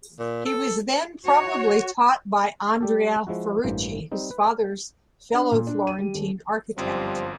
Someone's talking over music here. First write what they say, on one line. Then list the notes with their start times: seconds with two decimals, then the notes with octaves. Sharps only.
He was then probably taught by Andrea Ferrucci, his father's fellow Florentine architect.
0.19 A#2
0.46 A4
1.25 F#4 C#5
2.80 G3 G4 A4
3.27 F3 G#3 E4 F#4
3.64 A1 G2 E3 A#3 C5
4.12 G3 C4 D#4
4.31 B4
5.33 D4
5.52 A#2
5.67 D4
5.87 D#7
5.99 G3
6.14 D#1
6.78 G1 F#2 F3 G3 C4